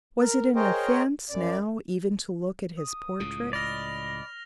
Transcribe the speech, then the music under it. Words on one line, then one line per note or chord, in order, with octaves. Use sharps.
Was it an offense, now, even to look at his portrait?
A#4
G#4 A#4 C5 C#5 D#5 G5
F#2 D5
D#6
C#2 A2 C#3
D5 D#5 B5 F6 A#6 F7